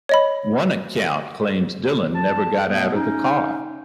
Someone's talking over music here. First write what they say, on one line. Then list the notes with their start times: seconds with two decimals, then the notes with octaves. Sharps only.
One account claims Dillon never got out of the car.
0.09 C#5 D#5 B5
2.15 A5
2.68 B2 F#3 A3 B3
2.95 C#4 D#4